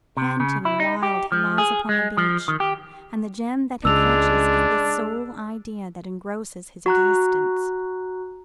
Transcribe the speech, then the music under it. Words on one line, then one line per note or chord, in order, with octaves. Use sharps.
Panting and wild he lies upon the beach, and the gem that he clutches is the sole idea that engrosses his existence.
C3
C#3
E4
D#4
G4
F3
G#4
G#3
F3
D#3
G4
C#2 G#3 D4 E6 F7
F#4 A#5 F#6